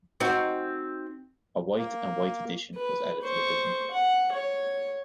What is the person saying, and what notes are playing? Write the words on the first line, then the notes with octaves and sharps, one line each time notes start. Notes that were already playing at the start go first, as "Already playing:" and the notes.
A Wight and Wight addition was added to the building.
C4 D#4 F#4
A#3
B4
C5 C#6
F#5
C#5